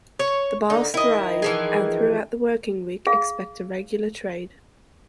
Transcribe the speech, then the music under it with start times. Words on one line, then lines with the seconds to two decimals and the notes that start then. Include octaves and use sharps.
The bars thrive and throughout the working week expect a regular trade.
0.19 C#5
0.70 D3 D#4
0.94 D#3 E4 D#5
1.42 E3 F3 G#4
3.07 G#4 F5